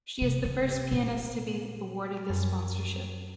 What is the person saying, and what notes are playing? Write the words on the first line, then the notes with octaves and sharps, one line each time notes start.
She is the first pianist to be awarded this sponsorship.
C3
C#3
C3
A#2
F#2